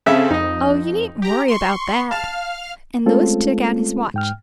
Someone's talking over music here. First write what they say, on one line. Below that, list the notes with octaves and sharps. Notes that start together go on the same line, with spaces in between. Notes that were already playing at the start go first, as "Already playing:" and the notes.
"Oh, you needn't worry about that," and Louis took out his watch.
C#3 C4 G#4 A4 E5
F2 D#4 D#5
G4 A#5
C6 C#6
F5 A5 F6
G#3 A3 C4 C#4 F4 A4
G#2 G5 F6